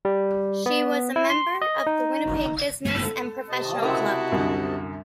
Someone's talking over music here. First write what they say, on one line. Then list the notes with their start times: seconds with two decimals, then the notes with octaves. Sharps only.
She was a member of the Winnipeg Business and Professional Club.
0.05 G3
0.66 B3
1.16 E4
1.30 C6
1.62 D#5
1.87 D#4
3.03 A4
3.50 C3 D#5 A5
3.82 C#3 E4 F#4 A#4
4.32 C2 F#2 D3